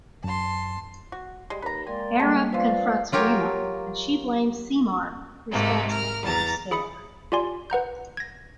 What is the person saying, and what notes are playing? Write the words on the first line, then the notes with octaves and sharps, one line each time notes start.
Aarav confronts Reema and she blames Simar responsible for her stare.
F#2 A5 C6
F#4
G3 G#3
D#2 B4 A#5
G#3 A#3 D5 G5 G#5 C6
G3 G#3 A#3 A4
F3 F4 B4 D5 E5 F5
F#3 F4 G4 A#4 C#5
G#2 C3 A3 A#3
A#4 F6
E2 A#5 A6
G#4 B5 D#6 C#7
F4 G4 D5 G#5 C6
B4 F#5 A#5 G6
G#6 A#6